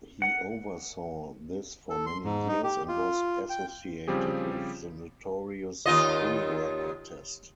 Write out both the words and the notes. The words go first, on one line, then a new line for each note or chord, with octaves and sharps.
He oversaw this for many years and was associated with the notorious 'bullworker test'.
F#5
A4
C6
G#2
D#4
G4
F4
G5
C#3 F3 G3 C4 G4 G#4
D#2 F4 D#5